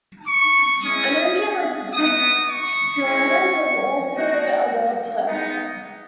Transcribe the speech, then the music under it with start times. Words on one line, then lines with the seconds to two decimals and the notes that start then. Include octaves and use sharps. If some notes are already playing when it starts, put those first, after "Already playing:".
An engine with six cylinders was also a world's first.
0.28 C#6
0.83 G#3 C#4 E4 D#6
1.94 B3 D#4 F#4 D#6
2.49 C#6
3.04 G#3 C#4 E4
4.15 A#3 D#4 F#4
5.25 G#3 B3 D#4